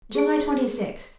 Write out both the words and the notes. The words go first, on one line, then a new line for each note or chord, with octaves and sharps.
July Twenty-sixth.
G#4 D7